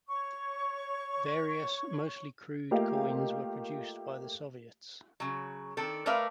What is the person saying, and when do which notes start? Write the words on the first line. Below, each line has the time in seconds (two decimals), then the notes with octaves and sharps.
Various, mostly crude, coins were produced by the Soviets.
0.08 C#5 C#6
2.71 A3 A#3 F4 G4 D#5 F5
5.20 C#3 F#3
5.77 D#3 C4 D4 A4
6.06 A3 A#4 B4 D5 E5 F5